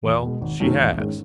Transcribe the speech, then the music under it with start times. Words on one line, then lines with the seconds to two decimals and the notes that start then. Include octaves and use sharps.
Well, she has.
0.04 E2
0.22 B2 G#3
0.41 G#1
0.60 F#2 D#3 F#3 A3
0.79 A1
0.97 G#2 D#3 G#3 C#4